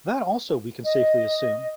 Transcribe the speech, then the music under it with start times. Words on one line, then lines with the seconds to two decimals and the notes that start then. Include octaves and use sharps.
That also we can safely assume.
0.84 D#5